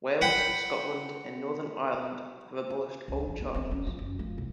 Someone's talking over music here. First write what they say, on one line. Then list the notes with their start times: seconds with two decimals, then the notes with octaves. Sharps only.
Wales, Scotland and Northern Ireland have abolished all charges.
0.21 F#5 G5 B5
3.08 C#2
3.28 F3
3.40 B3
3.55 C4
3.71 C#4
3.87 F3
3.99 F#1
4.19 F3
4.38 C2